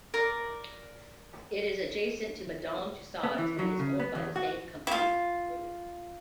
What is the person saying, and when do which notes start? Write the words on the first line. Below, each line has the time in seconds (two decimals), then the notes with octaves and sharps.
It is adjacent to Madame Tussauds and is owned by the same company.
0.14 A#4 D5
3.23 B3
3.38 E3
3.59 F#3
3.79 C#3
4.00 B3
4.15 E2
4.36 F#4
4.87 E4 F4